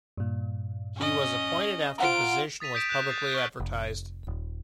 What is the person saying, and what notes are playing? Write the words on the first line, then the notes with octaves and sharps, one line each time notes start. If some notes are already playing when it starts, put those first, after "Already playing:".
He was appointed after the position was publicly advertised.
G2 A#2
C#4 D#5
F4 C5 F#5 A#5 D7
D#6 A6 B6 D#7 F7
D#6 G6 B6 D7 E7
F#6 G6 D7 E7 F7
A6 C7
G6
C#6 F6
F1
D#1